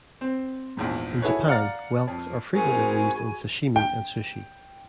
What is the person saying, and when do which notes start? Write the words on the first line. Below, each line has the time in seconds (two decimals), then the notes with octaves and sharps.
In Japan, whelks are frequently used in sashimi and sushi.
0.21 C4
0.77 A#1 E2 G#2
1.22 E4 F#4 G#4 A4 B4 C#5
1.47 D5 F5 F#5 A#5 F6 A6
2.07 F2
2.54 G#2 C4 F#4 G#4 A#4 G#5 B5 C#6
3.76 G5